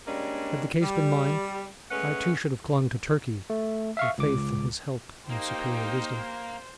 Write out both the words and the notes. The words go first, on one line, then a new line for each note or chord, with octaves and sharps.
Had the case been mine, I too should have clung to Turkey from faith in his help and superior wisdom.
G3 G#3 A#3 C#4 D4
G3
G#3 A3 C#4 B4 F#5
A3
E5 F5 C#6
C#2 D6
A#3 D#4 G4 C5 G5